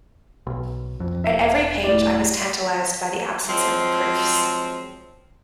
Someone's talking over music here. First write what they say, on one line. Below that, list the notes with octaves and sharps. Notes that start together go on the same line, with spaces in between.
At every page I was tantalised by the absence of the proofs.
B1
F2
E1 E5
A2 D5
F3 F#3 G#3 C4